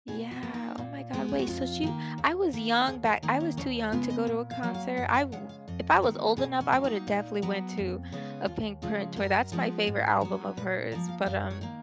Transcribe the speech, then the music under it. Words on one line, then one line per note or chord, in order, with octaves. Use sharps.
Yeah, oh my god, wait, so she I was young back I was too young to go to a concert, I w if I was old enough, I would've definitely went to a Pinkprint Tour that's my favorite album of hers, but, um
B2 G#4
F#4
A#3
D#4
A#2
G#3 B3
G#4
F#4
F2 F4
D#3 A#3
D#2
D#3 A#3
D#2 G#4
A#4
D#3 A#3 D#4
C#4
D#2 C#4
C#3 G#3 B3 F4
D#5
A#2
F5
F#3 A#3
F5
F#2 F#5
F5
C#3 G#3 F#5
F5
F2 D#5
D#3 G#3 B3
B2 G#4
C#4
F#3 A#3
D#4
A#2
F#3 B3
F2
C#3 G#3 B3
D#2 F4
C#3 F3 G#3 F4
F#2 A#4
F3 G#3 B3
G#2
F#3 B3
A#2 B4
F3 A#3 D#5
F5
F#2 F5
C#5
D#3 A#3